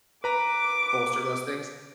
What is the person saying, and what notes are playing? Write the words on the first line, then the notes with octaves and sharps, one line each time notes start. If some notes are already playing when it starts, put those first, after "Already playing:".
bolster those things.
B4 A#5 D6